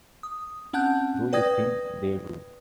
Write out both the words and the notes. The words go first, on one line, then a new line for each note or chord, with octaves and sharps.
Do you think they do?
D#6
C4 C#4 F#5 A5 F#6 G6
B4 D5 G5 D#6 G#6 A#6